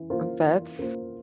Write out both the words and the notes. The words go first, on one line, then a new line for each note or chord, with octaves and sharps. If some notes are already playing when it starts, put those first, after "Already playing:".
Um, vets?
Already playing: E3
A#3 F4 C5
E3
A#3 F4 C5